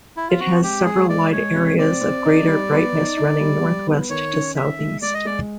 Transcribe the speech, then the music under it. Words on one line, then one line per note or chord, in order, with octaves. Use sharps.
It has several wide areas of greater brightness running northwest to southeast.
E4
F4
C4 F#4
G#3 G4
G#3 G#4
G#3 D5
G#3 C#5
C3
C4 D5
C4
D#4
G3
B3
D#4
D#4
G3
G3
B3
D#3 C#5
C#4
D#3 E5
G#3
G#3 D5
D#5
G#3 D5